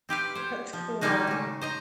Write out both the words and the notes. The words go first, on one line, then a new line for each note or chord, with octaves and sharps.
That's cool.
C4 G4 B4 F5
C5 C#5
F3
D#3 G3 G#3 A#3 D#4 F#4
C#3 A3
C5 D#5 A#5